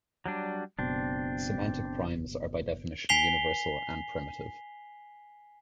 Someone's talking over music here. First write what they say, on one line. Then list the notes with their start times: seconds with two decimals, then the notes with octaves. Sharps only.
Semantic primes are by definition universal and primitive.
0.26 F#3 G3 D4
0.79 F#1 B2 C4 D4
3.09 G#5 B6 C7 F7 G7